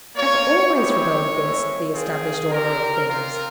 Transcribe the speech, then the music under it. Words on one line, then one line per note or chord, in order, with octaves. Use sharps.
I've ALWAYS rebelled against the established order of things.'
A#3 F4 C#5
G#3 C4 E4 G4 C#5
G#3 C4 E4
C4 F4 G#4
C4 G4 A#4
C4 F4 A#4